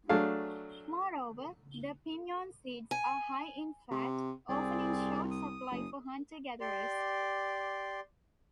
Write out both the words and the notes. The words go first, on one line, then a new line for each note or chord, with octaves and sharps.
Moreover, the pinyon seeds are high in fat, often in short supply for hunter-gatherers.
F#3 A3 D4 G#4 F5
G#5
C3
C2 C4 G#4 D5
D#6
F#1
G4 D5 C6